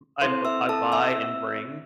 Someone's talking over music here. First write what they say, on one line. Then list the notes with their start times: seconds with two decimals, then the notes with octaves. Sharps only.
I b I buy and bring
0.21 C4 E4 A4 C5 C6
0.45 E5 E6
0.69 A4 A5
0.92 E5 E6